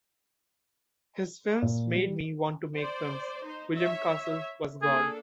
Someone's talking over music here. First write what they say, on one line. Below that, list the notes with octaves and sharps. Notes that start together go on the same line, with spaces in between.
His films made me want to make films ... William Castle was God.
A#2
G3
C5 D5
D#4 C5
C#5 E5
A#3 D4 G#4 A4